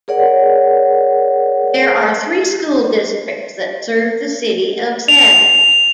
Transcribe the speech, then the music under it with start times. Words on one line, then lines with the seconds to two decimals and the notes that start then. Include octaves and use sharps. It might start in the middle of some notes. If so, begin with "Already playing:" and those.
There are three school districts that serve the city of Savage.
0.08 G#4 A#4 C#5 D5 F#5
5.08 F7